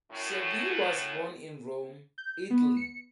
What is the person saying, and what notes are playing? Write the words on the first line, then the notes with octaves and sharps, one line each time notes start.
Cervi was born in Rome, Italy.
F#2 A2
G6
B3
C#7